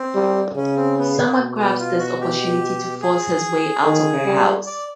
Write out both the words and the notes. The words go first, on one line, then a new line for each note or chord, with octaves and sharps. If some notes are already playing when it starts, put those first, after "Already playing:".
Samar grabs this opportunity to force his way out of her house.
Already playing: C4
G3
C#3 C#4
C4
B3
A#3
B2
B3
F4
F#4
G4
G#4
D#3
G3
D5